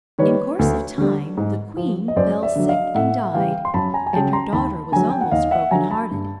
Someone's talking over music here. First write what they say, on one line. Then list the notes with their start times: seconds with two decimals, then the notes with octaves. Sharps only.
In course of time the queen fell sick and died, and her daughter was almost broken-hearted.
0.19 D#3 G3 B4 C#5
0.59 D2
0.98 D3 G3
1.37 G#2
1.77 F3
2.08 D#5
2.16 F#2 C5 D5
2.43 D5 E5
2.56 D3 F#3
2.69 D#5 F5
2.95 A2 E5 F#5
3.34 E3 G3 F5 G5
3.65 C6
3.74 F#2 A5 B5
3.94 G#5 A#5
4.07 G#5
4.13 C#3 F#3 G5 A5
4.33 A#5 C6
4.53 D#2 A5 B5
4.92 D3 F#3 G#5 A#5
5.10 G5
5.21 F#5
5.31 D#2 D#5 F5
5.51 E5 F#5
5.71 D3 F#3 G#5 A#5
5.91 A5 B5
6.11 G2